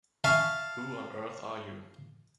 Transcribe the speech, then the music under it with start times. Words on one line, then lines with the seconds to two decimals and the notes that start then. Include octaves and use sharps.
Who on earth are you?
0.24 E5 F5 G#5 A5 C#6